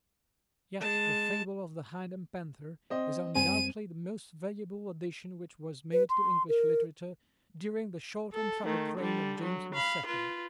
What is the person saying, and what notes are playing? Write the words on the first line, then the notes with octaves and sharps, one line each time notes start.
Yet the Fable of the Hind and Panther is undoubtedly the most valuable addition which was made to English literature during the short and troubled reign of James the Second.
G#3 A5
C4 D#5
F#2 G3 C4 G#5 D#7
B4
C6
A#4
A4
D#3 A3
D3 G3
F#3
F5 B5
F4 B4